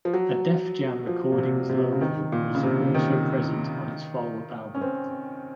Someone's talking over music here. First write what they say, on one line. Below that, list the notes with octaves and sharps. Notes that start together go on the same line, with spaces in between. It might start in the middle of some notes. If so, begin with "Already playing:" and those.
A Def Jam Recordings logo was also present on its follow-up album.
F3
F#3
F3
A#2
C3
C3
C#3
D#3
A#2
C#3
C3
D#3
C#4
C4